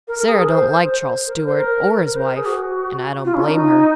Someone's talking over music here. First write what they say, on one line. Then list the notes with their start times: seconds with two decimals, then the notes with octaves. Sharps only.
Sara don't like Charles Stuart or his wife--and I don't blame her.
0.08 A#4
0.18 A#4
0.28 G#4
0.38 A#4
0.47 C5
1.27 A#4
1.37 A#4
1.46 C5
1.57 A#4
2.06 A#4
2.16 C5
2.26 A#4
2.35 G#4
2.46 F#4
3.25 F4
3.35 C#4
3.44 D#4
3.54 D#4